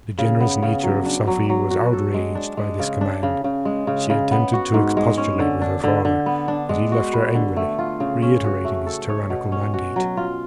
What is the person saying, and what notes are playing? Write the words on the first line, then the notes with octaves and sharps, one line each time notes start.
The generous nature of Safie was outraged by this command; she attempted to expostulate with her father, but he left her angrily, reiterating his tyrannical mandate.
C#3
B3
C#3
F#3
D4
F#3
F#3
F#4
A4
G#3
D4
G#3
C#3
D4
C#3
C#3
G#3
C#3
C#3
B3
F#4
G#2
G#3
C#4
D3
D4
D3
D3
B3
D4
G#3
F#4
B4
D3
A3
F4
C#3
C#4
F#4
A3
A4
C#5
B2
C#4
F#4
F#3
F4